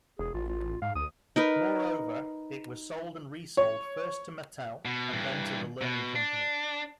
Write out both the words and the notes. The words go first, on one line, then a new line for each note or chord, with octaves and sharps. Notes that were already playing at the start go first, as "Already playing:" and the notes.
Moreover, it was sold and re-sold first to Mattel, then to The Learning Company.
E1 G#4
A1 F4
F4
G#2 F5
D2 D#6
D#4 A#4 B4
C#5
B2
G2 E3
B2
D4